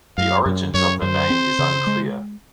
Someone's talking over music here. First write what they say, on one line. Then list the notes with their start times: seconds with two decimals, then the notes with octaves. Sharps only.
The origins of the name is unclear.
0.17 F#2 F5
0.46 F#2
0.74 F#2 C#5
1.02 F#2 C5
1.30 C4
1.59 C#3
1.87 G#3